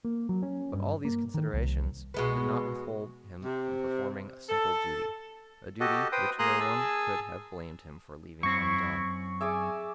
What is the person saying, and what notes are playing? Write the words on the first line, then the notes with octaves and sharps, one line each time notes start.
But all these considerations could not withhold him from performing a simple duty--a duty which no one could have blamed him for leaving undone.
A#3
F#3
C#4
G2
A#3
D#3
C2
B2 G#3 B3
C3
A4
F#4 G4 A4 D#5
B4 C5 G5 D#6
A#3 G#4 A#5 C6 D#6 F#6
G#4 G#5 A5 E6
F#2 C4 E4 C#6
G#4 D5 E5 G#5